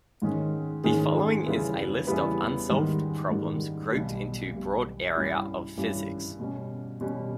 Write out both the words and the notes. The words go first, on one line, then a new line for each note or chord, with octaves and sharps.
The following is a list of unsolved problems grouped into broad area of physics.
G#2 D#3 G#3 C#4 G#4
G#2 D#3 G#3 C#4 G#4
E2 C#3 G3 B3 E4
E2 C#3 G3 B3 E4
G#2 D#3 G3
G#2 D#3 G3
B1 B2 G3
B1 B2 G3
G2 G3 C#4 E4 G4
G2 G3 C#4 E4 G4
B2 G3 C#4
B2 G3 C#4